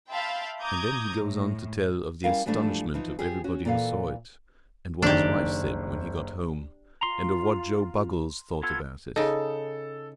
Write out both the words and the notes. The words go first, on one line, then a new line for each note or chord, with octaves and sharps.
And then he goes on to tell of the astonishment of everybody who saw it; and what his wife said, when he got home, and of what Joe Buggles thought about it.
E5 F5 G5 A5 B5 C6
A#5 D6 D#6 G6 G#6
A2
G3 C#4 E4 A#4 F5
G#2 E3 F3 G3 A3 D4
E3 F3 D#4
F3 G4 G#4
C#4 F#4
A#2 E3 A4 F5
F#1 D#3 D4 G4
F4 A#5 C6
B3 F4 A4 G#6
C#3 D#4 A4